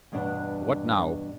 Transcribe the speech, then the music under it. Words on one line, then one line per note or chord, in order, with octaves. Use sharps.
"What now?"
E2 G2 B2 D4 F#5